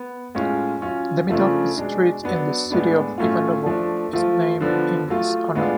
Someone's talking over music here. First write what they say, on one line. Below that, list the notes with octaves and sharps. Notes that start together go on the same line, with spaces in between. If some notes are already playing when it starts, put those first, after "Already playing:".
Demidov Street in the city of Ivanovo is named in his honor.
Already playing: B3
A2 G#3 C#4 F4
F#3 C#4 F4
C#3 F3 A3 D4 F4
B2 G#3 D4
F#3 B3 D4
A2 G#3 B3 D4
A2 F#3 A3 C#4 F4
F3 A3 D4
F3 A3 F4
D3 F3 B3 D4
F#3 A3 F4
A2 G#3 B3 D4 F4